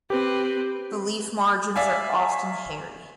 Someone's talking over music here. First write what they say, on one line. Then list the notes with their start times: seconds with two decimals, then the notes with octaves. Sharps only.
The leaf margins are often hairy.
0.10 C4 G4 B4
1.76 D5 E5 F5 G#5